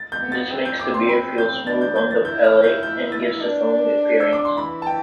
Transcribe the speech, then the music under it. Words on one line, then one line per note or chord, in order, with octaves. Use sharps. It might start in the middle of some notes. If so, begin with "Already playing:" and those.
This makes the beer feel smooth on the palate and gives a foamy appearance.
Already playing: A6
G6
B3
A6
C4
G6
D6
C6
B5
G6
D4 A6
G6
G6
A6
E4 G6
F6
G6
G6
A6
D4
E6
D6
C6
E3 B5
A5
G5